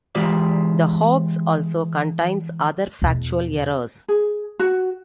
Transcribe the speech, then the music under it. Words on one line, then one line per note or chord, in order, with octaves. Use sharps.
The hoax also contains other factual errors.
E3 G#3 F4 G4 C5 D5
E2 B2
G#4
F#4